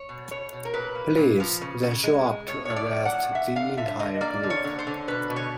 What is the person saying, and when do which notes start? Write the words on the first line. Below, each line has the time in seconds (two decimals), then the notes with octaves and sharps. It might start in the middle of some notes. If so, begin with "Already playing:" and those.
Police then show up to arrest the entire group.
Already playing: C#5
0.09 B2
0.31 B2 C#5
0.53 B2
0.65 A#4
0.74 A#2 B4
0.95 A#3
1.17 A#2
1.40 F3
1.61 C#3
1.83 C#3
2.04 G#3
2.26 G#3
2.48 A2 C#5
2.65 A2 C#5
2.76 D5
2.90 F3
3.05 F#5
3.12 A2
3.35 D3 E5
3.56 D3 F5
3.77 D3 E5
4.00 D3 D#5
4.21 A#3 D5
4.43 D3
4.50 C#5
4.64 D3
4.79 C5
4.87 D3
5.08 B2 B4
5.30 B2
5.36 C#5